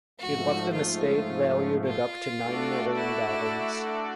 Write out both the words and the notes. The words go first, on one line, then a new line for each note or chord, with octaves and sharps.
He left an Estate valued at up to nine million dollars.
G#2 F3 A3 F#4
F4
F4
A3 D4 F#4 A4 D5
E4